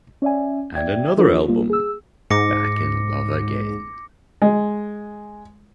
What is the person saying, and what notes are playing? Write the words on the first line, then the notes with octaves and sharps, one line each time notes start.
And another album, "Back in Love Again".
C#4 D5 E5 G#5
D5 E5 G5 G#6
F3 D4 F4 A4 B4
G3 A#3 F4
G#4 E6
G#2 D6 A#6 C#7
G#3